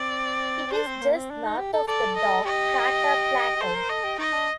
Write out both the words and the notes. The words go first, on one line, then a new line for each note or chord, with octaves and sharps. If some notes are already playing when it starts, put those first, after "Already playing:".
It is just north of the dark crater Plato.
Already playing: C4 D5
C4
D4 C5
C4
A#3
C4
D4
D#4
G4
A4
A4 D5
D#5
G4 D#5
G4
A4 C5
A#4
A4 D#5
G4
D#4 D#5
D4